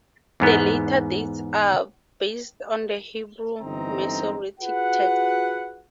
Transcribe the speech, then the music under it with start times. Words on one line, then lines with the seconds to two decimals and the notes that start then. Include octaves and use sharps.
The later dates are based on the Hebrew Masoretic text.
0.40 E2 G#2 B3
3.60 G1 D3 E3 C4 D#4 A#5
4.60 F4 F#4 G#4 B4 F#5